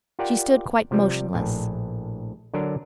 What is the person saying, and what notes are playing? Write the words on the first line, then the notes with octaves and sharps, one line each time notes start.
She stood quite motionless.
F4 G4 A#4 D5 F#5 G5
C3 F3 G3
A#1 A2
D3 F#3 D4 A#4